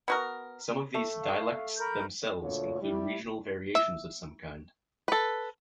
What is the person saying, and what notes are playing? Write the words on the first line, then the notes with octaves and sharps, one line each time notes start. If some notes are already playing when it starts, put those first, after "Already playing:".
Some of these dialects themselves include regional variations of some kind.
B3 F#4 A#4
A3
F5
A#4 B5 G6
D2 A#2 D3 F4 C#5
G3 E4
E5
A4 B4